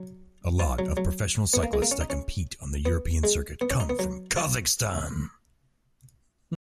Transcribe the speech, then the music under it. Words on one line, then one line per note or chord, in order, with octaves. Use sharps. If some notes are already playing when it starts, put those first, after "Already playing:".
A lot of professional cyclists that compete on the European circuit come from Kazakhstan.
Already playing: F#3
F3
F#3
F#3
B3
A#3
G#3
A#3
C#4
D#4
C#4
B3
G#3
B3
C#4
D#4
B3
F#3
F3